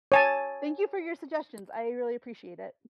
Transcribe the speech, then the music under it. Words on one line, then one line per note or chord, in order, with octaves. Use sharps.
Thank you for your suggestions, I really appreciate it.
C#5 G#5 A5